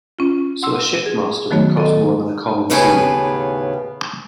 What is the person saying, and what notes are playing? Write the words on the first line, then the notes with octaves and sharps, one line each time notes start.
So a ship master would cost more than a common seaman.
C#4 F4
F#5 C6 E6
G#4
D#3 F#3 A3 B3 F#4 C#5
A4 D#5
D#2 A2 C#3 B3 B4 G#5